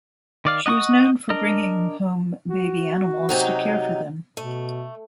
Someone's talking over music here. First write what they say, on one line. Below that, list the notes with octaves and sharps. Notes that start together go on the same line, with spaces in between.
She was known for bringing home baby animals to care for them.
D#3 D5 F5
D#5 F#5 A5 C#6 D#6
D4 A#4 D#5
F#4
C3 F#3 D#4
B2 A3